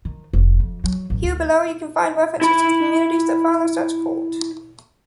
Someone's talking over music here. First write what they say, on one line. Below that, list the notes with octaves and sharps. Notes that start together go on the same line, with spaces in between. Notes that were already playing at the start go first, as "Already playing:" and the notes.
Here below you can find references to the communities that follow such cult.
D#3
F1
F2
F#3
A1
D2
E4 B5